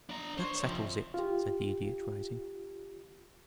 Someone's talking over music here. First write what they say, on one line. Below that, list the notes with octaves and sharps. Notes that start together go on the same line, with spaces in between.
"That settles it," said the Idiot, rising.
D4 A#5
C5 C#5
C3 F3
F4 G4